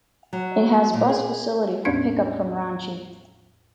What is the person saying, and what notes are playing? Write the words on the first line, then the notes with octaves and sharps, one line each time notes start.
It has bus facility for pickup from Ranchi.
F#3
A#2
G#4
E2 A2 B3 C#4 D4 G#6